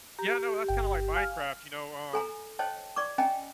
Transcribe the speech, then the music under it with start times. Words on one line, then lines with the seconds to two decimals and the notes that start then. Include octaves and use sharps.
Yeah, no, that's kinda like Minecraft, you know, um
0.19 G4 A#5
0.68 G1 G5
1.16 F5 G#5 F6
2.13 A4 G#5 A#5
2.59 C5 C#5 D#5 G5 A5
2.96 D5 C#6 D6
3.18 C#4 D#5 G5 G#5 A#5